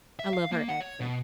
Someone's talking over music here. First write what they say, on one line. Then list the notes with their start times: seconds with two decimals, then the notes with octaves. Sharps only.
I love her accent.
0.19 E5
0.33 F5
0.51 A#3
0.69 F#5
0.81 C#5
1.00 B2